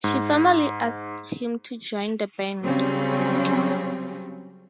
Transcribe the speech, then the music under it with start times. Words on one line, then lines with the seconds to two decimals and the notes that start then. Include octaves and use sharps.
She formally asked him to join the band.
0.04 G#2
2.63 C#3 F#3 G3 C4 C#4